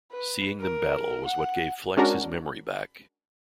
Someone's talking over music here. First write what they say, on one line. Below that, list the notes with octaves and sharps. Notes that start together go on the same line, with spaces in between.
Seeing them battle was what gave Flex his memory back.
B4
A#4
F#5
G#3 C#4 D4 F#4 A#4